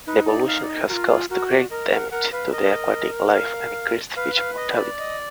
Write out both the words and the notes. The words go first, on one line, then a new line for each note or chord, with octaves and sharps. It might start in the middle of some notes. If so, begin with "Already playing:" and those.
The pollution has caused great damage to the aquatic life and increased fish mortality.
D#4 B4
D5
F5
D5
D#5
F4 F#4 A#4
G#4
F#4 A#4
D5
A#4 D#5
A#4 F#5
A#4 F#5
B4 F5
A#4 D#5
F5
B4 F5
F5
D#5
D5
D#5